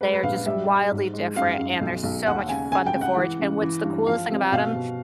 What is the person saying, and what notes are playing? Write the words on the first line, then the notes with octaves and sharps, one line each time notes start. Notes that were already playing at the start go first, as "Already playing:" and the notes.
They are just wildly different, and they're so much fun to forage, and what's the coolest thing about 'em
G#3 B4
B4
A#1 F5
F5
G3 E5
G3
G#2
G#3
F#2 F5
F#2
B1
B1
D#2 F#5
C#3 G#5
C#3 G#5
G5
C#3
F#5
E3
C#3
E3
G2
F3 F5
C3
B2 F5
B2